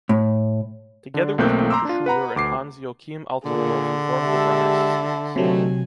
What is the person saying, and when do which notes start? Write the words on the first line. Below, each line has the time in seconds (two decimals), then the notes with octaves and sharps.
Together with Günter Schüler and Hans-Joachim Altendorff he formed the runners' series.
0.09 A2
1.14 D3 D4
1.38 B1 A3 A#3 C4 F#6 G6
1.70 A#5 C6 D6 E6
1.85 D4 F4
2.06 B4 F#5 A#5 B5
2.36 D2 D6 C7
3.45 A#2 D3 G#4
4.24 G#3 G4 E5 A5
5.36 D2 C3 D#3 F#3 A3 G#5